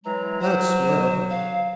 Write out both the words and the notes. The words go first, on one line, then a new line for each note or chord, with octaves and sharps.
That's well.
E3 F#3 G#3 A#5
F#3 C5
F5